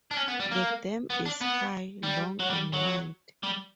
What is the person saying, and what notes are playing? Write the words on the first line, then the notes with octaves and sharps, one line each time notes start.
The dam, is high, long and wide.
D4
C#4
B3
G3
A#3
B3
D4
B3
G3
F#3
G3
F#3
G3